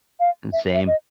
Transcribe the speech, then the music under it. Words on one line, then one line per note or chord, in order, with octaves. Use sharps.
And same.
F5
E5
E5
D#5